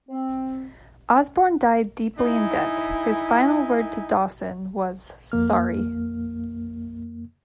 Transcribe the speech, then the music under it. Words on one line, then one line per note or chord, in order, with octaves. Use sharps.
Osborne died deeply in debt, his final word to Dawson was: "Sorry".
C4
D#4 E4 G#5
F2 A#3 F6